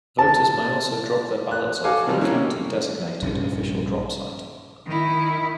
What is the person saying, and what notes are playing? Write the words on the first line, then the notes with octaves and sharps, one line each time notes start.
Voters may also drop their ballots off at a county designated official drop site.
A5
F#6
F#4 A4 F5 G#5 D6
C3 D#3 F3 G3
A#3 C#4 E4 A#4
A#1 G2 C3 C#4
D#3 E4